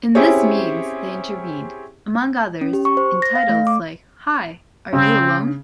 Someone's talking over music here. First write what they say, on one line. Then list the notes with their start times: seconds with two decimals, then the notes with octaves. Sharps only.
In this means they intervened, among others, in titles like "Hi, are you alone?".
0.15 C4 C#4 E4 G4 G#4 C#5
2.61 C#4
2.73 G4
2.85 C#6
2.97 C5
3.22 A#6
3.35 F5
3.49 A3
3.67 D6
4.93 C#3 C4